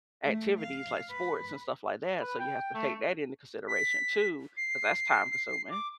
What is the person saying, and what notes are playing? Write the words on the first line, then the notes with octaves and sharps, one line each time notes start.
activities, like, sports and stuff like that, so, you have to take that into consideration too 'cause that's time-consuming.
A3
F5
B4
B4
G5
A3
B6
C7
D6